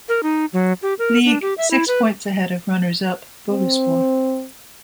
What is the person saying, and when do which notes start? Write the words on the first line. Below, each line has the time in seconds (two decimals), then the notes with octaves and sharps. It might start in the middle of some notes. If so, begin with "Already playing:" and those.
Lig, six points ahead of runners-up Boluspor.
0.09 A#4
0.23 D#4
0.53 F#3
0.82 G4
0.99 A#4
1.25 D4
1.42 G4
1.58 E5
1.71 E4
1.88 B4
3.51 C4